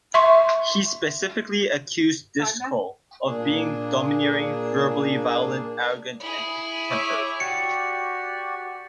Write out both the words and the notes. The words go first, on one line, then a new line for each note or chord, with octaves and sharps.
He specifically accused Driscoll of being "domineering, verbally violent, arrogant, and quick-tempered".
E5 C6 C#6
A#2 A#3 D4 G#4
E4 G#4
C#5 E5 D6
F#4 G4 D5 C#7